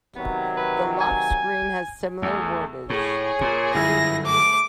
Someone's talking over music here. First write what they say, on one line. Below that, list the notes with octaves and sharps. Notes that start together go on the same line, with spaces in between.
The lock screen has similar wordage.
C3 D#3 F#3 B3
B4
G#5
E2 A3
A2 G#4 C#5
A#2
G1 F#2 E4 A#6
A3 D6